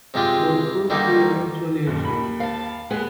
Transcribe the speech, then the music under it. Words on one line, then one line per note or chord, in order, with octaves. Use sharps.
Both goals she eventually achieved.
C3 G#3 F4 G4
D3 D#3 G3 A#3 D#4
F#1 D#2 A#2
D#2 B5
F5 A5
D#2 G#3 B3 G#4